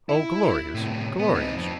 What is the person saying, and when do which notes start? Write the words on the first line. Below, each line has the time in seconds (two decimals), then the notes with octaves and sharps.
Oh, glorious, glorious!
0.09 E4
0.74 A2 C3
1.19 B3
1.35 C4 D#4
1.57 F2